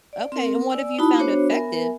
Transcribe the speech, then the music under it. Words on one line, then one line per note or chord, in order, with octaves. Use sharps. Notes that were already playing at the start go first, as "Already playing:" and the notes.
Okay, and what have you found effective
D5
C4 A#4
D5 G#5 E6
D#4 E4 F#4 A5 B5
B3 D4 F#4 C5 C#5
B3 A#4 E5 G#5